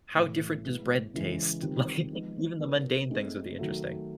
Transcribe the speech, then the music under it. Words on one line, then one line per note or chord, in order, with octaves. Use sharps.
how different does bread taste? Like, even the mundane things would be interesting.
A2 E3 A3
G#3 B3 E4 G#4
C#3 E3 G#3
D#3 G3 C4 F4
F3 G#3 B3 D#4
B3 D#4 G4 A#4
A3 C4 D#4 G#4
D#3 F#3 A3